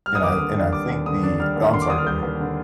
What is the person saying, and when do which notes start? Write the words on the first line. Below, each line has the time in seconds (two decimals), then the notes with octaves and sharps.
And I and I think the Oh, I'm sorry, go ahead.
0.06 G3 F6
0.15 D#6
0.23 D#2 D6
0.32 D#6
0.40 D3
0.56 D4
0.73 G3 D6
0.90 D#2
1.06 D3 D#6
1.23 D4
1.40 G3 F6
1.56 D#2
1.73 D3 C6
1.82 D6
1.90 D4 D#6
1.98 F6
2.06 G3 G6
2.23 D#2
2.40 D3